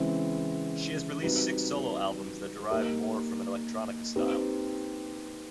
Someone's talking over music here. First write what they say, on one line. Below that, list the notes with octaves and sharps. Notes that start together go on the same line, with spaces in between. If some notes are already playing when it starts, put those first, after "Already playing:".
She has released six solo albums that derive more from an electronica style.
Already playing: C#3 E3 G#3 C4 E4
G3 C4 D#4 F#4 B4
A#3 D#4 G4 A#4 D#5
C4 D#4 G4 B4